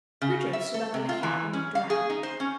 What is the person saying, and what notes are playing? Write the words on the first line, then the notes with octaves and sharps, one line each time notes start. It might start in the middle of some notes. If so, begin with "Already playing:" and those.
Richard stood up in the cab and looked around.
C#3
E5
A4
C3
F4
E3
C#4
F5
G#4
D#4
C5
C#4